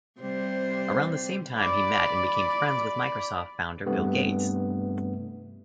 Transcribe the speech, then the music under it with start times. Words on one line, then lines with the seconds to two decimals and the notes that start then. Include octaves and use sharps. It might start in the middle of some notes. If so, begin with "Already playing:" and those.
Around the same time he met and became friends with Microsoft founder Bill Gates.
0.20 C3 G3 C5
1.55 D5 B5
3.86 G2 C3 A3 B3